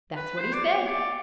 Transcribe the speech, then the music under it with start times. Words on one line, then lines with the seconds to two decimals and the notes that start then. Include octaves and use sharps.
That's what he said.
0.16 B4
0.40 C5
0.53 D5
0.64 C#5
0.87 D5